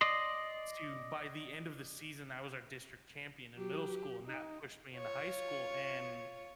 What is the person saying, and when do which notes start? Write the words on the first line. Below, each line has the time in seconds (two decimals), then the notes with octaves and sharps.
to by the end of the season, I was our district champion in middle school, and that pushed me into high school and
0.01 D5 D#5 C6
3.55 F#3 G4
4.26 D#4
4.96 F4 C#5